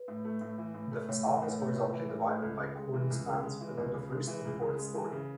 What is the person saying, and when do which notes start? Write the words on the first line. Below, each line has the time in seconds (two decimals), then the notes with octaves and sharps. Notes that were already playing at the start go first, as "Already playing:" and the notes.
The facade is horizontally divided by cornice bands below the first and fourth storey.
Already playing: B4
0.08 A2
0.24 A3
0.41 A2
0.58 E3
0.74 A2
0.91 A3
1.09 A2 C#5
1.25 E3 A4
1.42 A2 B4
1.59 A3 C#5
1.76 A2 B4
1.92 E3
2.09 A2
2.26 A3
2.42 C#2 A4
2.59 C#3
2.76 G#3
2.93 E3
3.10 C#2
3.27 C#3
3.43 G#3
3.61 E3
3.77 C#2
3.94 C#3
4.11 G#3
4.27 E3
4.45 C#2 G#4
4.61 C#3
4.78 G#3
4.94 E3
5.12 C#3